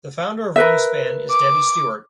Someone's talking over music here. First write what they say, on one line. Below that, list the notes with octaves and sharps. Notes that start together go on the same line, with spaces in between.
The founder of Wingspan is Debbie Stewart.
A#4 B4 E5
D6